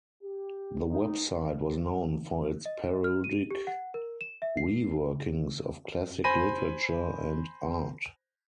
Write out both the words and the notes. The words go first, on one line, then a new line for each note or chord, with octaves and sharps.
The website was known for its parodic reworkings of classic literature and art.
G4
D#4
D#5
F6
D#7
G4
F#5
A#4
E7
E5
C7
C5 G#5 B5 A#6 D#7